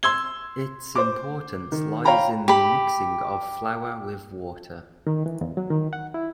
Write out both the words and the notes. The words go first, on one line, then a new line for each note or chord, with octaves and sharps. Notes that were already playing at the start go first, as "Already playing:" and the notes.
Its importance lies in the mixing of flour with water.
C6 E6 G#6 G7
C5 D6
D#3
C#5 F5 G5 A#5 B5
G4 B5
D#3
E3
E2
F#3
D#3
F#5
E4